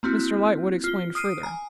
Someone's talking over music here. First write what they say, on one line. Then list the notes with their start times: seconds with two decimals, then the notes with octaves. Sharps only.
Mr Lightwood explained further.
0.03 A#3 C4 E4 F#4
0.84 F4 G7
1.15 D#6 F6 C7 D7 D#7
1.43 G#5 A#5